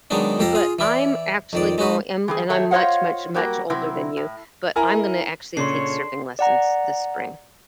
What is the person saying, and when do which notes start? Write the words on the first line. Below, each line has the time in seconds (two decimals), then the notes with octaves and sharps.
but I'm actually going- and and I'm much, much, much older than you- but I'm gonna actually take surfing lessons this spring.
0.10 D#3 F#3 G#3 B3 D4 D#4
0.39 F2 G4 A4 F5 A#5
0.55 F4 G#4 F5
0.79 E3 E4 D5
1.53 F2 D#3 D5
1.78 G#3 D#4 F#4 B4
2.28 E3 G3 G#4
2.50 D#3 A3 G4 C#5 E5
2.71 F4 C5 C#5 D#5 F5 F#5
3.34 F#3 G3 A#3 F#4 A#4
3.70 C3 F#3 C4 E4
4.17 A2
4.76 E4 A#4 G#5 A#5
5.57 A#2 C#3 D4 G#4 A4 C#5 C6 C7
6.39 D5 F#5 A#5